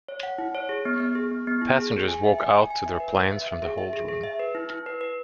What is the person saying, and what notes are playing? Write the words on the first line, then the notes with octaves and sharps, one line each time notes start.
Passengers walk out to their planes from the holdroom.
C#5
F#5
E4
C#5
G#4
B3
B3
G#4
B3
B3
E4
G#4
G#4
G#5
E5
G#5
G#5
G#5
E5
B4
B4
E5
E5
G#4
E5
G#4
G#4
E5
B4
E4
E4
B4
B4